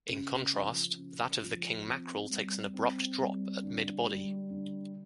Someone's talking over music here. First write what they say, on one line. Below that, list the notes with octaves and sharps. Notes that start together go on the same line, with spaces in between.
In contrast that of the king mackerel takes an abrupt drop at mid-body.
C#3
F3
C#3
F3
C4
G3
C4
G3
D3
G3
D3